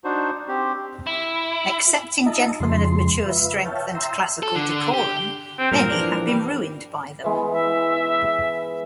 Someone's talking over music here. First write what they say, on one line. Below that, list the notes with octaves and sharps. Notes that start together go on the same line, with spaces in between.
Excepting gentlemen of mature strength and classical decorum, many have been ruined by them.
D4 D#4 F#4 C5
C4 G4
E4
D#4 F4 D#5 E5 A5 A#5
F2 C#3 F3 G#3 C6
F4 B4 E5
C#5 E5 F5 G5 A5
E5 G5 A#5 C6 E6
A4
D3
G4
C4
G2 A#2 A#4
E3 F3 D4
G3
E3 G#3 B3
E5